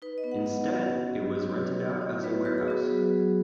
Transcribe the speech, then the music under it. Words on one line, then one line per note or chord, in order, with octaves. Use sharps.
Instead it was rented out as a warehouse.
D#4 B4
D#5
B3
F#5
B3 D#5
F#4
C#4
F#3
F#3 C#5
B4
F#4
B4
D#4 D#5
B3 C#5
B3 B4
F#4 B4
G#4
B3 F#4
G#4
F#3
F#3